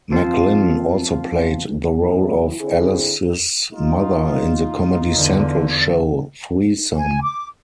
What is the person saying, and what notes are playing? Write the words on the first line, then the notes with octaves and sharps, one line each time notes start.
McLynn also played the role of Alice's mother in the Comedy Central show "Threesome".
F3 C4 F4 C5
E2 A#2 F#3 B3 E4
D3 C4 E4 G#4
D#4 F4
E2 D3
G#5
D6